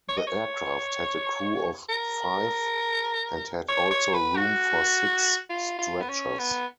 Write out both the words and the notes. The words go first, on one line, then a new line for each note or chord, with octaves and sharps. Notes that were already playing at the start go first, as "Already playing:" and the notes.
The aircraft had a crew of five and had also room for six stretchers.
C#5
D#5
C#5
A#4
C#5
C#5
B4
F#4
F4
F4
B3
C#4
B3